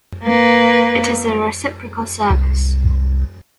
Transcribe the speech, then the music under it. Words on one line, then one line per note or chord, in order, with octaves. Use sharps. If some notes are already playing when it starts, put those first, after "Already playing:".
It is a reciprocal service.
A#3 B4
C2